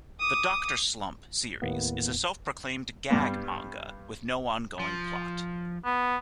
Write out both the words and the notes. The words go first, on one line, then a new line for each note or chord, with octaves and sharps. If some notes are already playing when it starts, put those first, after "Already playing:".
The "Doctor Slump" series is a self-proclaimed gag manga with no ongoing plot.
D6 D#6
D#2 A2 A#3 B3
G2 G3 B3
F3
B3